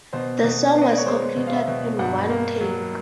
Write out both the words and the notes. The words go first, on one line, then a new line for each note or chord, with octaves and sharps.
The song was completed in one take.
B2 C5
B2
B3
D#5
D5
C#5
G#3 C5
B2
F5
E5
B2
G2 F#5
A#3
F#3